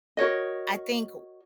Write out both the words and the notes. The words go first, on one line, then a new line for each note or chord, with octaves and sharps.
I think
F#4 A#4 C#5 D#5